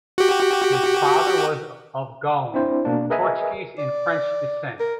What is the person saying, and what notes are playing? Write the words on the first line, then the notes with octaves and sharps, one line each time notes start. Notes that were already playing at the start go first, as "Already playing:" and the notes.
His father was of Goan, Portuguese and French descent.
F#4 G4
C4 D4 E4 C5
B2 A#3 D4
G#4 A#4 B4 D#5 E5 G#5
D5
A#4